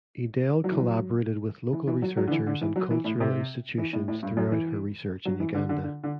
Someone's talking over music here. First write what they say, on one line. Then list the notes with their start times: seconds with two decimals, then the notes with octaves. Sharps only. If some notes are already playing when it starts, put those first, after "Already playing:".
Edel collaborated with local researchers and cultural institutions throughout her research in Uganda.
0.64 F#3
0.71 E3
0.79 F#3
1.73 E3
1.87 E3
2.02 F#3
2.17 F#3
2.27 D3
2.31 E3
2.47 D3
2.61 E3
2.76 F#3
2.91 E3
3.05 A2
3.20 C3
3.78 E3
3.93 A2
4.08 A2
4.23 G2
4.37 F#2
4.52 E3
5.25 F#3
5.40 E3
5.54 D3
5.69 D3
5.84 D3
6.04 D3